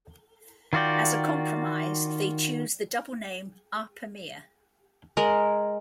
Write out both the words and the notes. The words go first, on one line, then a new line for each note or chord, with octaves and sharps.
As a compromise they choose the double name Erpe-Mere.
D#3 F4 F#4 D5 G5
G#3 A#4